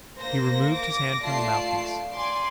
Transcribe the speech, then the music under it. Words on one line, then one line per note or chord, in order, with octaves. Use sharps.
He removed his hand from the mouthpiece.
A#3 C5 A#6
D6 A#6
A3 F4 D5 A5 C7 D7
D5 G#5 C6 D6